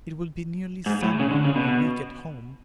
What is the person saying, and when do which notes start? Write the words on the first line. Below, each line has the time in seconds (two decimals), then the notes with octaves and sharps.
It will be nearly Summer when we get home.
0.86 G#2
1.03 A2
1.20 C#3
1.31 D3
1.44 C#3
1.56 B2